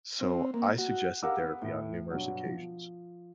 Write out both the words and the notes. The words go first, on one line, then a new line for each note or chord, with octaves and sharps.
So, I suggested therapy on numerous occasions,
C4
A#3
F#4
G4 A#4 F5 F#5 D6 E6
B3 B4
A2
G2 B2 F#3
F3